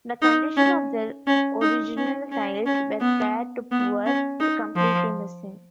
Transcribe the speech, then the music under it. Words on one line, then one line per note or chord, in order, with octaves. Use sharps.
The condition of the original tiles were fair to poor to completely missing.
D#4
C#4
C#4
D#4
C#4
C#4
C#4
B3
B3
C#4
D#4
F3